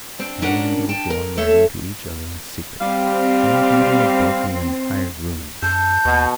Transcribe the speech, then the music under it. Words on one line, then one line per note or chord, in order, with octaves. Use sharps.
And you would go on writing to each other in secret, and committing adultery in hired rooms.
C4 D4
A#2 C#4 D4 A#4 F#5
G5 A5
A#4
A3 A4 C#5 E5
G3 C4 F5
F#2 A4 G6
D#2 B2